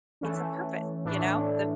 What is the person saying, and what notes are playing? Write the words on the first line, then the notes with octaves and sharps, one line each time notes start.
"It's a purpose," you know? The
E3 A3 C#4
A2 E3 A3 D4